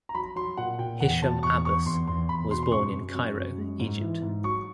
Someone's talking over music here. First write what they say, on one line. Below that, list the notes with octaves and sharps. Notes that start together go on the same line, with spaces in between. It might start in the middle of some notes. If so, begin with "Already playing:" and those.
Hisham Abbas was born in Cairo, Egypt.
A#5
F#3 B5
F#3 C6
A#2 F#5
A#2 G5
E2 F#5
B2 A5
E2 C#6
E2 C#6
E2 C6
E2 C6
E2 B5
B2 C6
C6
F#2 C#6
F#2
F#2
F#2
G#3
G#2
E3
G#2
F#3 C#6